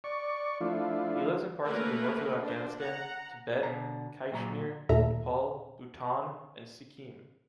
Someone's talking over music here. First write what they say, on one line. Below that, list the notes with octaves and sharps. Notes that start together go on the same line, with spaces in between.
He lives in parts of the north of Afghanistan, Tibet, Caixmir, Nepal, Bhutan and Sikkim.
D5 C#6
F3 A3 D4 E4 F4
A3 A#3 C#4 A#4 B4
D4 C5
F#5 A#5
B2 D3 A#5
A#2 F#3 A#5
D#2 A#2 A3 A4 E5 A#5